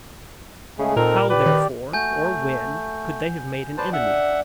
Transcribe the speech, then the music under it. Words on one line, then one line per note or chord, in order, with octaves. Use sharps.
How, therefore, or when could they have made an enemy?
C#3 G#3 A3 G#4
A#2 C4 D#4 A4 A#4
G4 B4 D5
D#3
A3 F#4 G#5 G6
B4 C5 D5 D#5 A5
D4 E5 F#5